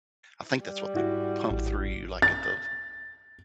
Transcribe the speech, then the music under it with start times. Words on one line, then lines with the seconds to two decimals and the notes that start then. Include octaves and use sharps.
I think that's what they pump through you, like, at the f
0.65 G3
0.94 G#2 E4 F#4
1.50 A1
2.22 A6